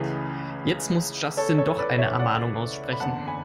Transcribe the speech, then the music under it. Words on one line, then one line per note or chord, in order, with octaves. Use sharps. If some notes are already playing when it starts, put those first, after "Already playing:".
Jetzt muss Justin doch eine Ermahnung aussprechen.
Already playing: C#2 C#3 E3 A3 G#4 B4
A4 C#5
A4 C#5
B4 D5
C#5 E5
D5 F#5
B5
F#1 E2 D3 F#5 A5
G#5 B5